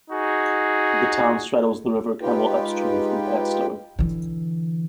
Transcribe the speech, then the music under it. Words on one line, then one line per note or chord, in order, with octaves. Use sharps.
The town straddles the River Camel upstream from Padstow.
D#4 F#4 G#4
G#3 D#4 F4 G4 B4 G5
D3 E3